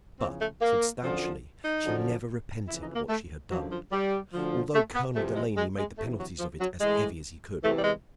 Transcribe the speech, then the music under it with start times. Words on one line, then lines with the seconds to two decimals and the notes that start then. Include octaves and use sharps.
But substantially she never repented what she had done, although Colonel Delaney made the penalties of it as heavy as he could.
0.20 E2 C#3 F3 C4
0.41 A3
0.61 A#3
1.03 F#2 D3 F3
1.65 D#4
1.85 F#2 D3 F3
2.68 F2 C#3 E3 E4
2.82 D#4
2.95 A#3
3.09 A3
3.50 F#2 D3 F3 F#3
3.71 F3
3.92 G3
4.33 D2 D3 F3
4.74 A3
4.95 B3
5.16 E2 C3 F3 A3
5.36 G#3
5.57 G#3
5.78 G#3
5.98 D2 C3 E3 A3
6.19 F#3
6.39 F3
6.60 F#3
6.80 A2 E3 G#3
7.63 E2 C3 E3 A3
7.78 G3
7.84 G#3